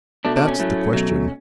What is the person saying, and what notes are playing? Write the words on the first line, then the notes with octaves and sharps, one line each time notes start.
That's the question.'
B2 A3 D4
D4
C#4
A2 F#3 A3
B2 F#3 A3